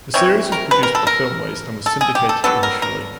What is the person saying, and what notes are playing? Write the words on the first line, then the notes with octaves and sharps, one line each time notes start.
The series was produced by Filmways and was syndicated initially.
C3 E3 G3 C#5
A#4
B4
A#4
A4
A#4
A4
G#4
G4
A4
D3 F#3 B3 A4
A#4
A#4